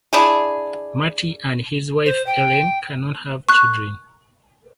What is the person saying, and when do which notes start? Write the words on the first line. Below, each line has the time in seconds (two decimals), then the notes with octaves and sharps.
Marty and his wife Elena cannot have children.
0.13 D4 E4 G#4
2.06 C5
2.27 G5
3.49 C#6 F#6